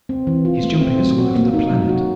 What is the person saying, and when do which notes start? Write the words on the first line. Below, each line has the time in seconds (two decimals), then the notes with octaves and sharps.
He's jumping us all over the planet.
0.09 C4
0.27 E3
0.45 F4
0.64 A3
0.81 C4
0.99 F#3
1.18 F#4
1.35 A#3
1.54 D#4
1.71 F#3
1.89 F#4